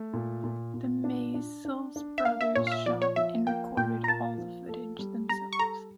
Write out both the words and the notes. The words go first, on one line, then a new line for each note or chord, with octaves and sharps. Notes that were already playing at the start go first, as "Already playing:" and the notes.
The Maysles brothers shot and recorded all the footage themselves.
Already playing: A3
A#2
A#2
A#2
D4
D4
D4
D4
E5
A#3 F5
E5
A#2 C#5
F5
E5
F3 D5
C#5
F3 E5
A#3 G5
A#2 G5
A#5
A#3 A5
F3
A4
G3
G3 A#5
C#6
A4 A#5